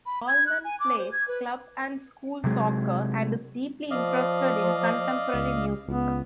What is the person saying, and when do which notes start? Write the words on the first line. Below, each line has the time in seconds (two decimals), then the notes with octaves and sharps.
Allman played club and school soccer and is deeply interested in contemporary music.
0.06 B5
0.28 G#6
0.46 F#6
0.64 G#5
0.80 D6
0.98 C5
1.12 G#6
1.28 B4
2.44 C3 F#3 G#3
3.91 F3 D5 D#5 F5
5.34 C#2
5.88 C#2 B3